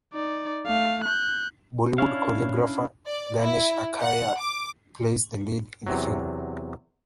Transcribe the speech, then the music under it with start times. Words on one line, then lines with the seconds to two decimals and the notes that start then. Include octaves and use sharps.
Bollywood choreographer Ganesh Acharya plays the lead in the film.
0.14 D#4 D5
0.66 A3 F5
1.04 F#6 G6
1.98 C#4 D4 E4 C#5 F5
3.06 D5
3.41 E4
4.02 F#5
4.40 D6
5.87 E2 C3 F#3